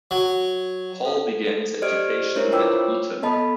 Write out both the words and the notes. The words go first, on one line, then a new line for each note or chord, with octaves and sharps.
Hall began his education at Eton.
F#3
A4
G4 C5 D5 D#5 F6 D7
D4 E4 A#4 C5 C#5
F4 B4 C#5 G5 D6 E6
B3 A4 D#5 A5 B5